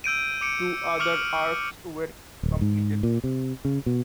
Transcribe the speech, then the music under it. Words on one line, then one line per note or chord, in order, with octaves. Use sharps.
Two other arcs were completed.
E6 G6 D7 D#7
D6 C#7 D7
C#6 D6 F6 C#7 F#7
D1
G#2
A#2
C3
C#3
B2